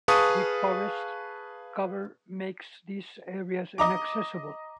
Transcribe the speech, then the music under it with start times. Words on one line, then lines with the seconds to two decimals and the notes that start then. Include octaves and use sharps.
Deep forest cover makes these areas inaccessible.
0.08 G#4 B4 F5 A5 C#6 D#6
3.78 D#5 A#5 D6